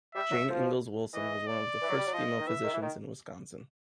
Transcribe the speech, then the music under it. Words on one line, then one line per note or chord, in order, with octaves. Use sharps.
Jane Ingalls Wilson was one of the first female physicians in Wisconsin.
G3 E5
F#3
F3
E3 D#5
D5
E3
F#3
G3
F#3
F3 D#5
D#3
E3 E5
D#3
E3
D#3